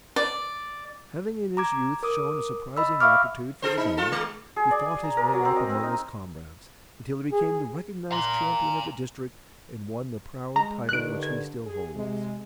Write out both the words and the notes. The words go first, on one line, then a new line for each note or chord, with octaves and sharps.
Having in his youth shown a surprising aptitude for the game, he fought his way up among his comrades, until he became the recognised champion of the district and won the proud title which he still holds.
D5
A#5 D6 G#6
A#4 D6 D#6
D#5 B5 E6
E5 F5 B5 C#6 D6 F6
G#4 A4 C5
D#4
F4 A4
G#3
G#4
D5
G#5
A#5
A#4
F#3
C4
D#5
C4
D#4
G#4
A#5 C6
G#3 A#5
G2 D3 D#3 F#6 D7
G#6
G#4
C3 G#3